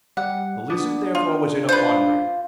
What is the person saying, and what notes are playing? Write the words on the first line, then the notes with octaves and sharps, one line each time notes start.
The Lizard therefore was in a quandary.
G3 F#5
B3 D4
F4
F4 B4 C5